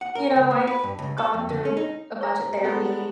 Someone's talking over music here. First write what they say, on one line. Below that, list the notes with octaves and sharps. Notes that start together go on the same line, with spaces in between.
you know, I've gone through a bunch of therapy,
F#5
A#4
C#2
A#3
B4
G2
C#2
A4
F2
D3
C#4
D#4
C#5 A#5
G#3 B3 F#4 A4